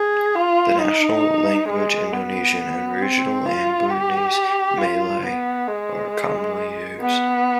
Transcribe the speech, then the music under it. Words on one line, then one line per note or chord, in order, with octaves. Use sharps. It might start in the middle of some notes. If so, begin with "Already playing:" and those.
The national language Indonesian and regional Ambonese Malay are commonly used.
Already playing: G#4
F4
D#4
G#3
B3
C4
F4
G4
F4
B3
G#3
B3